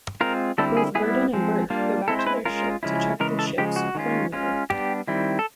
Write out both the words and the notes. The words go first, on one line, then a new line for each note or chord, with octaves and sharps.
Both Virdon and Burke go back to their ship to check the ship's chronometer.
G#3 C4 F4 A#4
D3 G3 C4 E4 A4
G#4
G3 B3 E4 G#4
F3 G#3 C4
G3 A#3 D4 F4
G#3 C4 E4 A4
C5
B4
G#3 C#4 F4 A#4
C#3 F3 G#3 C#4 E4
C#3 E3 G#3 A#4
A4
C#3 F3 G#3 G4
F#4
D#3 G#3 C#4 F4
G#3 C#4 F4
G3 B3 D4 G4
D#3 G3 C4 E4
A4